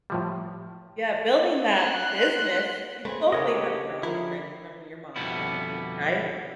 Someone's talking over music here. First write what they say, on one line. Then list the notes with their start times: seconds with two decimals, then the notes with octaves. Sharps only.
Yeah, building that business, you totally had to draw on strength from your mom's memory, right?
0.10 A2 F3 G3
1.72 C6 F#6
3.05 A3 C4 G#4 B4 C6
3.32 C#3 C#4 D4 G4 A#4 C#5 D#5
4.03 D3 F3 E4 G#4 A#4 C#5
5.16 F2 B2 D3 G3 B3 E4